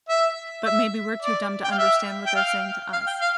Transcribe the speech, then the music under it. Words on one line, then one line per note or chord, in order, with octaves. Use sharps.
but maybe we're too dumb to understand what they're saying to us.
E5
E5
D5
G5
F5
E5
G5
F5
F5
G5
F5